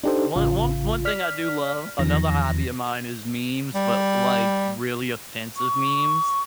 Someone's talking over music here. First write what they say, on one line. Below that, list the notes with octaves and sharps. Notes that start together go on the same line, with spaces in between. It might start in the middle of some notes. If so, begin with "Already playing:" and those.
One one one thing I do love another hobby of mine is memes, but, like, really offensive memes.
D4 D#4 G4 A4 C5
A1 C#3 F4
D5 F6 B6
E2 D#3 F3 A#6
G3
C#6